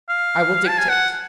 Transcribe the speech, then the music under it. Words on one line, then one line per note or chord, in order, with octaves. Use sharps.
"I will dictate."
F5
A5
G#5
F#5